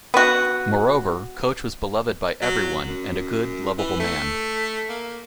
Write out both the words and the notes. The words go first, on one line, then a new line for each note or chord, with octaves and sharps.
Moreover, Coach was beloved by everyone and a good "lovable man".
B3 F#4
F#3
F#2
E3
A3
A#3